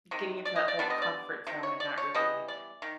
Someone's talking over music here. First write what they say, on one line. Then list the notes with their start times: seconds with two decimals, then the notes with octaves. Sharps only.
getting into that whole comfort zone, and not really
0.11 C3 D#3
0.45 D5
0.56 D#5
0.68 D5
0.79 D3 G3 B3 D5
0.90 D#5
1.02 D5
1.47 C3 D#3
1.63 C#5
1.80 D5
1.98 C#5
2.15 E3 G3 B3 D#5
2.48 D5
2.82 D#3